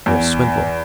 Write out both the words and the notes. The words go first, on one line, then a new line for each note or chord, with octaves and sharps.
"You're a swindler!"
E2